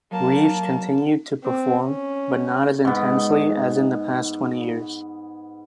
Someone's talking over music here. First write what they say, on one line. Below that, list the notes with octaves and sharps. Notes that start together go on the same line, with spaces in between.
Reeves continued to perform, but not as intensely as in the past twenty years.
F#3 A#3 A5
C4
C#4
G#2 B3